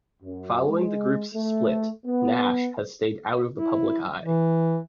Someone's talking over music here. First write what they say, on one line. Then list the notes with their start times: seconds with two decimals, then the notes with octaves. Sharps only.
Following the group's split, Nash has stayed out of the public eye.
0.22 F#2
0.68 G#3
1.34 A3
2.05 B3
3.56 E4
4.24 E3